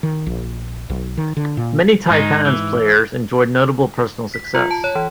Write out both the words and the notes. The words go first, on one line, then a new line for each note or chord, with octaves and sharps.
Many Taipans players enjoyed notable personal success.
D#3
A#1
B1
D#3
D3
A#2
G#2 D#3 G#3 D#4
E3
B6
F4
A5
C#5
E3